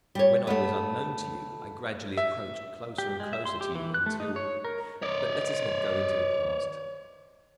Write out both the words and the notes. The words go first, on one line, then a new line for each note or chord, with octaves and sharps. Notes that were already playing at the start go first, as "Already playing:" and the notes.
When I was unknown to you, I gradually approached closer and closer to you until--but let us not go into the past.
G3 C#5
A3 B3
E5
G4
G#3
E5
C6
G4
E3
F#6
A3
D#4
C#5
A#4
C#5 D5